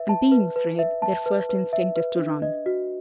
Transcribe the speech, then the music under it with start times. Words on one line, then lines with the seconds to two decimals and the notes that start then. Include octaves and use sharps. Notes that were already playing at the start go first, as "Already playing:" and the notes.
And being afraid, their first instinct is to--run.
Already playing: B4 E5
0.09 A5
0.32 B4
0.56 B4
0.79 E5
1.02 A5
1.26 B4
1.49 B4
1.73 E5
1.96 B4
2.19 D4
2.42 D#5
2.66 F#4